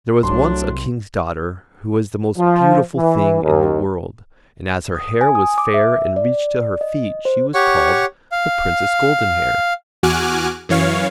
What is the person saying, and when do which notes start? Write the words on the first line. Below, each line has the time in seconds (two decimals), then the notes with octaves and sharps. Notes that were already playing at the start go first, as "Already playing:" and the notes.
There was once a King's daughter who was the most beautiful thing in the world, and as her hair was fair and reached to her feet she was called the Princess Goldenhair.
0.23 C2 F#3 A3 D4 C6
2.37 F3
2.95 E3
3.42 D#2
4.95 D#6
5.21 G#5
5.35 D#6
5.58 D6
5.74 E5
6.16 D5
6.81 D#5
7.25 C5
7.54 G4 C#5 F#5 C#6
8.32 F5
10.03 E2 F#4 G#5 D6 F6 F#6
10.69 F#2 E3 C#5 F5